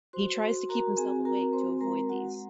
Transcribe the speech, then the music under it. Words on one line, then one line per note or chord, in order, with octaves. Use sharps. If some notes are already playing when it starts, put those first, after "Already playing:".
He tries to keep himself awake to avoid these.
F#4 C5 C6
F#4
F#4 A#4 A#5
C4 G#4 G#5
F#4 A#4 A#5
C4 C5 C6
G#3 A#4 A#5
G#3 F#4 F#5